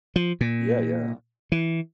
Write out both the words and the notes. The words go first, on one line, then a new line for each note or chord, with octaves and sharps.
Yeah, yeah.
F3
A#2
E3